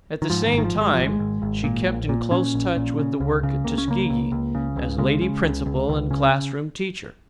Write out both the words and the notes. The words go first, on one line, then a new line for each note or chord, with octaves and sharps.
At the same time she kept in close touch with the work at Tuskegee, as lady principal and classroom teacher.
D#3
G#2 F3
D#3
G#1
D#3
F3
G#1
G#3
G#1 F3
G#3
G#1
G#1
A#2
A#1
A#2
A#2 C#4
A#1
A#2
C#3
C#2
C#3
C#2 A#3
C#4
C#3 A#3
C#2
C#2
C#3
C#2
C#3 G#3
C#3
C#2
C#2
C#2
C#3